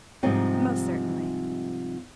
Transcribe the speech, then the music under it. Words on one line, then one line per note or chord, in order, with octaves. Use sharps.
"Most certainly."
G#2 C3 F3 G3 C4 D#4